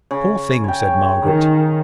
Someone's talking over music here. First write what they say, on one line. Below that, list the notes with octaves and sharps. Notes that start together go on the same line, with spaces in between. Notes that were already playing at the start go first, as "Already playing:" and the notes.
"Poor thing!" said Margaret.
C#3
C#5 G5
D#3